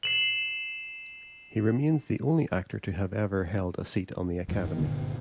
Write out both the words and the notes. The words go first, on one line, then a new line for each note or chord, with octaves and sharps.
He remains the only actor to have ever held a seat on the Academy.
C7 E7 F#7
E2 G2 E3 F3
D#3
G1 A#2 D3 B3